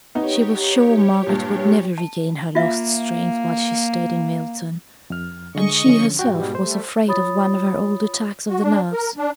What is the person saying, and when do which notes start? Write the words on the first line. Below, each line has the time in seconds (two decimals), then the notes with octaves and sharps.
She was sure Margaret would never regain her lost strength while she stayed in Milton; and she herself was afraid of one of her old attacks of the nerves.
0.15 B3 D#4 G4 C#5
1.27 G2 A#2
1.98 A5
2.55 A#3 F4 E5 F5
5.10 F2 F6
5.55 D3 G#3 G#4 D#5 C#6
5.86 D3 F3 C#4
6.19 G#2 B2 G3 F#4 G5
6.55 G3 A3 C5
7.07 F4 C#5 B5 D#6 A6
8.49 F#4
8.63 D4
8.92 A#4
9.18 D4